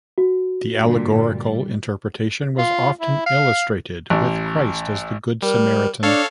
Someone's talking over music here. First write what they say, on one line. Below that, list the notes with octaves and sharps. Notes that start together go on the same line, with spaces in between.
The allegorical interpretation was often illustrated, with Christ as the Good Samaritan.
F#4
G2 A#2 D3
G3
F4
E4
F5
A1
G3 A#4
D4 A4 C#5 F5